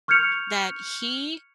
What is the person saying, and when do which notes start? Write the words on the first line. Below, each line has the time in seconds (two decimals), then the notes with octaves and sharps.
that he,
0.08 C#6 F6 G6 G#6 C#7 F7